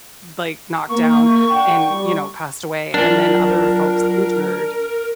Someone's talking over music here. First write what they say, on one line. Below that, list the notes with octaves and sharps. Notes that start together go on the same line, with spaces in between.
like, knocked down, and, you know, passed away, and then other folks injured,
A#3 C#6
D4 F#5 G5
G3
F#3 D4 F4 A#4